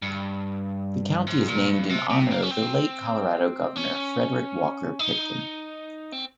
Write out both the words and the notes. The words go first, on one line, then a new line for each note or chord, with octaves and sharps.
The county is named in honor of the late Colorado Governor Frederick Walker Pitkin.
G2
G#2
A#2
G2
C3
C3
A#3
C#4
C4
C#4
D#4
C4